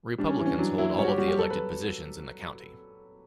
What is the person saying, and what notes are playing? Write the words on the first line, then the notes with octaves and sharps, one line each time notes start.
Republicans hold all of the elected positions in the county.
G3 D4
C#4
E3
C#4
F#3 D4
F#3 E4
G3 C#5
F#4
G4
G3 F#4
G4
F#3 A4
B4